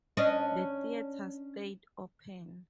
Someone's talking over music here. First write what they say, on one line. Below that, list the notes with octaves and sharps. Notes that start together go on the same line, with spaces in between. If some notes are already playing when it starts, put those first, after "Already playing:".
The theatres stayed open.
C#4 D4 D#5